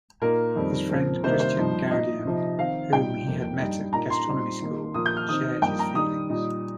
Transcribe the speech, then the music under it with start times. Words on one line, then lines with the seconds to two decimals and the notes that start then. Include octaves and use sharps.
His friend Christian Gaudian, whom he had met at gastronomy school, shared his feelings.
0.21 A#2 A#3 D#4 A#4
0.56 F2 D#3 G3 C4 D#4
0.89 A#2 F3 C4
1.23 C3 D#3 G3 A#3 D#4 C5
1.40 C5
1.57 G2 F3 D#4
1.91 A#2 A#3 D#4 D#5
2.25 C3 F3 D#4
2.58 D#3 C4 D#4 F5
2.92 A#2 G3 D#4 G5
3.25 F2 F3 A#3 D#4
3.60 G2 G3 D#4
3.93 A#2 A#3 D#4 A#5
4.10 C6
4.27 A#2 G3 C4 D#4
4.61 D#3 A#3 D#4
4.94 A#2 F3 A#3 D#6
5.06 G6
5.17 F6
5.28 D#3 C4 D#4 D#6
5.62 G2 F3 A#3 D#4 G5
5.79 A#5
5.95 D#3 G3 D#4 D#6
6.29 A#2 G3 D#4